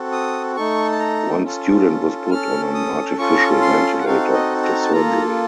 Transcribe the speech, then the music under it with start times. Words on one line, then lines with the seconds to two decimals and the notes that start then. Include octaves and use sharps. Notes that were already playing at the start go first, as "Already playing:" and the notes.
One student was put on an artificial ventilator after surgery.
Already playing: C4 F#4 A4
0.12 D#6
0.56 A3 D#4 A4 C#6
0.92 A5
0.99 A#5
1.44 C#4 F4 A4
2.30 C#4 A4 F6
2.74 D#6
3.17 C#4 F4 A4 C#6
3.61 C6
4.00 F#5
4.05 C4 D#4 F#4 A4 F5
4.34 D#5
4.63 A#5
4.82 A5
4.92 A#3 F4 A4 A#5